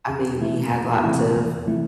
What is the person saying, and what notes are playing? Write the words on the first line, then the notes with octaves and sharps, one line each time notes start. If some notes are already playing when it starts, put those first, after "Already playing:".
I mean, he had lots of
E2
C3 E3 A3 E4
E2
C3 E3 A3 E4
E2
C3 E3 A3 E4